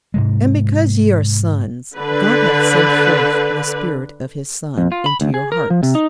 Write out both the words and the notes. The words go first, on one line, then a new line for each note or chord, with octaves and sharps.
And because ye are sons, God hath sent forth the Spirit of his Son into your hearts.
G#2 C3 G#3
D3 B4
F2
F4
B5
D2
G#4
A#4
F3
C3
D#4